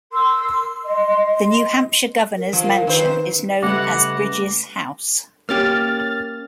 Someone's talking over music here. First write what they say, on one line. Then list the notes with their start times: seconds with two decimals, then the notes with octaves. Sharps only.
The New Hampshire Governor's Mansion is known as "Bridges House".
0.13 A#4 C6 E6
0.85 D#5 C6
2.37 A#4
2.53 F3
2.87 D#3 B4 C5
3.63 C#3 G3 A3 B4 F#5 D6 A#6
5.49 A#3 C#4 G4 F6 A6